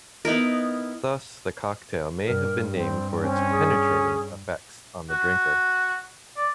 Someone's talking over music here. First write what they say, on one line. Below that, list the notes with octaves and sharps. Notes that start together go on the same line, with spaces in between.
Thus, the cocktail may have been named for its "penetrating" effects on the drinker.
B3 D#4 E4 A#4
G2 A#4
C4
C4 C#4
G#4
F#4
D5